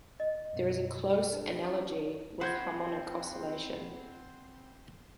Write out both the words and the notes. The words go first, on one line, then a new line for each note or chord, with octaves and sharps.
There is a close analogy with harmonic oscillation.
D#5
F#2 B2
D4 G4 A4
C#4 A4 C#5 D5
C4 B4 C5 F#5 G6 G#6